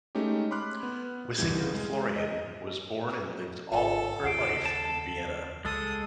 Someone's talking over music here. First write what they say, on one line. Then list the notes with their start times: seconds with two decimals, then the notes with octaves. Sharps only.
Wisinger-Florian was born and lived all her life in Vienna.
0.15 G#3 A3 C#4 D#4 G4
0.51 B5 C6 D6 F6 F#6
0.83 B3
1.38 C2 E3 G3 G6 G#6
1.74 G#3
2.16 D#5
3.72 G#1 F4 A4 F#5
4.24 D#2 C#3 F#5 C7 D7
4.65 A5
5.65 C#2 G#3 A4 D#6